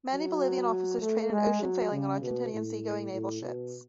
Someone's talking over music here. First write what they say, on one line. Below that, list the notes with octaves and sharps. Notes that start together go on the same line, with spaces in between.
Many Bolivian officers train in ocean sailing on Argentinian seagoing naval ships.
F#3
A3
G#3
F#3
C#3
B2
A2
A2
B2